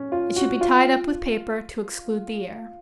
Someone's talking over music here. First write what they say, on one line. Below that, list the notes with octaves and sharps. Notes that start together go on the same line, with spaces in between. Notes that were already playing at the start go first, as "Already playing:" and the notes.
It should be tied up with paper to exclude the air.
Already playing: C#4
F4
F#4
F4